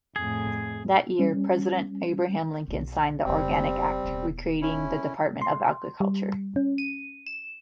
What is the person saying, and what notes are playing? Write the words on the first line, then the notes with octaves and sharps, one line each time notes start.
That year, President Abraham Lincoln signed the Organic Act recreating the Department of Agriculture.
F2 A2 G#4
G3 C#4
B1 C#4
F1 C#3 G3 C4
D#1 B2
C#4 E4
C6
G3
C#4
D#7
E7